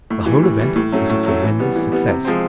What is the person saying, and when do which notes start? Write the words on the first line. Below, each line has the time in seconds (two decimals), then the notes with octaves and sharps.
The whole event was a tremendous success.
0.10 A2
0.26 E3 G3
0.43 A2
0.59 E3 G3
0.76 A2
0.92 F#3 A3 C#4
1.09 A2
1.26 F#3 A3 C#4
1.43 E3
1.59 G3 B3
1.76 E3
1.92 G3 B3
2.08 C3
2.25 F3 G#3 C4